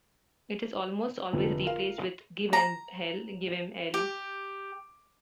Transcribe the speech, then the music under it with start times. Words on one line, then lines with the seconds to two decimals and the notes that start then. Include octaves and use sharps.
It is almost always replaced with Give 'em hell, give 'em hell!
1.33 F1 F2 D3 F3
1.63 F4 A#4 F5
2.53 A#5
3.94 G4